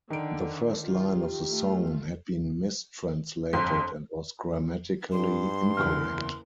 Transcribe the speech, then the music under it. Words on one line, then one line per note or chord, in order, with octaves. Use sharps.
The first line of the song had been mistranslated and was grammatically incorrect.
D3 D#3 D7
F4
G4
A3 F4
G1 F2 C6
G2 C6
F#1 E2 E4 F6